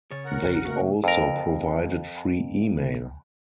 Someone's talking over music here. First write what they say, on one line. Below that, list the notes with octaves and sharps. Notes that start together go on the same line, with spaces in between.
They also provided free email.
C#3 C#5 A6
A#4 F#5
A#1
C#3 A3 A#3 F#4
F2 A#4